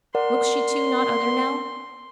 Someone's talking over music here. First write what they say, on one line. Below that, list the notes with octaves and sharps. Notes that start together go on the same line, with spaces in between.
Looks she too not other now?
A#4 D5 F#5 C6